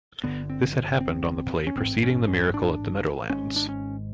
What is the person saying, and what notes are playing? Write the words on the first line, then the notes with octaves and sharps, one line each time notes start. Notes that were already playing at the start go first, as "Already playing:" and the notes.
This had happened on the play preceding The Miracle at the Meadowlands.
G1 G2 D3 B3
C4
C4
C#4
A1 G#2 C4
C#4
C#4
D4
G#1 G#2 C#4
D4
C#4